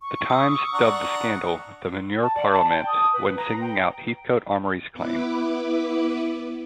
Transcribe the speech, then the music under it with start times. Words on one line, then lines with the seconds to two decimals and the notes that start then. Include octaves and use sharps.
"The Times" dubbed the scandal 'The Manure Parliament' when singling out Heathcoat-Amory's claim.
0.01 C#6
0.30 D#6 E6
0.74 D4 F#5 A#5
2.22 A5
2.35 D5
2.51 A5
2.70 G5
2.86 D#6
3.13 B4
3.37 A#5
3.60 G5
4.93 B3 E4 B4 D6